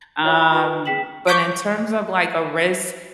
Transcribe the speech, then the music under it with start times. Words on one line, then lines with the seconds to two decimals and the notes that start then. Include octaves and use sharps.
Um, but in terms of, like, a risk,
0.23 E4 F4 C#5 E5 F#5
0.39 B5
0.52 F4 B4 G#5 C#6
0.86 G#4 G5 B6 E7 F#7
1.27 C#6 D6 G6 B6 D7